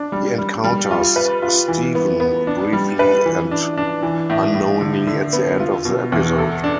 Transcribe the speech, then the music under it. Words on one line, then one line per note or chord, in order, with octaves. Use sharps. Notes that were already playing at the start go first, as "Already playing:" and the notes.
He encounters Stephen briefly and unknowingly at the end of the episode.
Already playing: D4
G3
G3
G3
F4
B4
F4
E3
B3
B3
D4
G3
B4
E3
D4
D4
E3
A2
A2
D3
D3
B3
F4
B2
E2
A4
D4